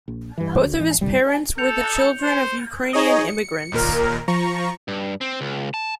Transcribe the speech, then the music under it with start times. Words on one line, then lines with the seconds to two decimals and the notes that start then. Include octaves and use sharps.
Both of his parents were the children of Ukrainian immigrants.
0.08 A#1
0.38 G2 E3
0.65 D2
0.79 G#1 E3
1.01 C2 G2 G3
1.58 A4 G6 C#7 F7
2.21 C5
2.93 D#4 G#4 C#5 D#5
3.27 C#7
3.72 D#2 A#2 A#4
4.28 F3 A#5 C#6
4.88 G2
5.21 C4
5.41 C#2
5.74 A5